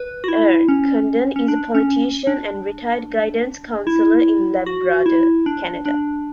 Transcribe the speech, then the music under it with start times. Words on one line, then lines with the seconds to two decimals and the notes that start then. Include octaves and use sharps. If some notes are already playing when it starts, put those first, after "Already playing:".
"Ern" Condon is a politician and retired guidance counsellor in Labrador, Canada.
Already playing: B4
0.24 F#4
0.28 E4
0.69 C#4
1.36 C#4
1.48 D4
1.75 C#4
2.27 D4
3.87 E4
4.66 F#4
5.06 E4
5.46 D4
5.86 D4